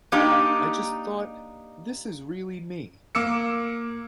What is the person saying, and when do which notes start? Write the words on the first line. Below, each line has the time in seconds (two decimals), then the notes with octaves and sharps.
I just thought, 'This is really me.
0.12 A#3 D4 D#4 G4 A#5
3.15 A#3 D6 E6 C#7